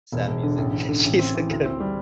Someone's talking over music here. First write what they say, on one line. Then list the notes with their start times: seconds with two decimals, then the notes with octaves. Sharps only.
sad music, she's a good one.
0.12 E1
0.28 E1
0.43 D3
0.58 A1
0.74 A1
0.89 D3
1.04 A1
1.19 C4
1.35 E3
1.50 D2
1.65 C4
1.80 G3